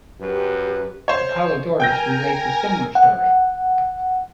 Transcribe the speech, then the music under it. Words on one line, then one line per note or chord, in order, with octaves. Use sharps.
Apollodorus relates a similar story.
F#2 G4 B4
C5 C#5
A#4 G5 G#5 A#5 G6 A#6
F#5